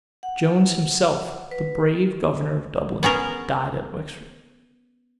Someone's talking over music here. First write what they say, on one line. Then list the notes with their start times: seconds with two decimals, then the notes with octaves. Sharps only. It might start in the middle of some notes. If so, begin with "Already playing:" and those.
Jones himself, the brave governor of Dublin, died at Wexford.
0.23 F#5
1.51 B4
3.03 B3 C#4 G#4 A#4